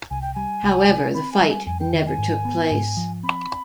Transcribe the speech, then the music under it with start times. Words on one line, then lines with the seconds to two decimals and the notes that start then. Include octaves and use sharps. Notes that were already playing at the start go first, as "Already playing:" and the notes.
However, the fight never took place.
0.10 C2 G#5
0.22 G5
0.35 G3 G#5
0.63 C2
0.89 C3
1.14 C4 B5
1.32 G#5
1.41 G3
1.50 G#5
1.66 F2 G#5
1.80 G5
1.93 D#3 G5
2.06 G#5
2.19 G#2
2.45 B3
2.71 G#2
2.97 F3
3.23 C4 B5